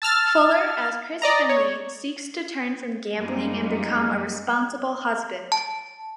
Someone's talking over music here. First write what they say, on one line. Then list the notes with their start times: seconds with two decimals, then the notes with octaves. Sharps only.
Fuller as Chris Finley seeks to turn from gambling and become a responsible husband.
0.02 A5 E6 F6 A6
1.22 D5 D#5 A#5
1.49 C#5
3.17 F#2 G3 G#3 A#3 D#4
5.52 A5